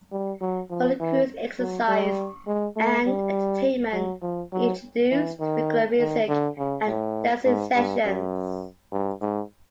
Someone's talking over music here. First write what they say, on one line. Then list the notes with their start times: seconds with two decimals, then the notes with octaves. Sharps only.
For the crew's exercise and entertainment, he introduced regular music and dancing sessions.
0.12 G3
0.41 F#3
0.70 F3
1.00 E3
1.59 F#3
1.88 G3
2.47 G#3
2.77 A3
3.06 G3
3.93 F#3
4.22 F3
4.53 F#3
5.11 E3
5.40 D#3
5.99 D#3
6.28 D3
6.58 C#3
6.87 A2
7.46 G#2
7.75 G2
8.05 F#2
8.92 G2
9.21 G#2